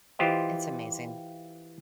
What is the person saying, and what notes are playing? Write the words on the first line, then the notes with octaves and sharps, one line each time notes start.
It's amazing.
E3 F4 G4 C5 D#5